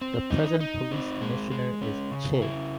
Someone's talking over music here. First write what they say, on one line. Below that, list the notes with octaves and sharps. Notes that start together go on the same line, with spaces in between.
The present Police commissioner is Ch.
C4
D#4
D#4
C4
G#3
G#3
C#4
C#3
E4